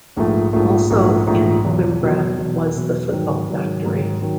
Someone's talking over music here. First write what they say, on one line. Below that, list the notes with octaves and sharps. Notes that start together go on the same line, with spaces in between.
Also in Cwmbran was The Football Factory.
A#1 G#2 F3 A3
A#1 G#2 F3 A3
A#1 G#2 F3 A3
A#1 G#2 F3 A3
E2 B2 F#3
E2 B2 F#3
E2 B2 F#3
E2 B2 F#3
G#2 D#3 F#3
G#2 D#3 F#3
G#2 D#3 F#3
D#3 F#3